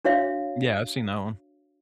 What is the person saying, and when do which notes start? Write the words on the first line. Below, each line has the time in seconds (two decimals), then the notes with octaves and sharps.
Yeah, I've seen that one.
0.05 D4 F#4 C#5 E5 F5